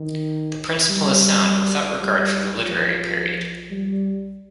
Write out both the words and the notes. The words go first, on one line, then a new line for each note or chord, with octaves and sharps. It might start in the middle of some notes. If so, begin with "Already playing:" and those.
The principle is sound without regard for the literary period.
Already playing: D#3
G3
G3
F3
G3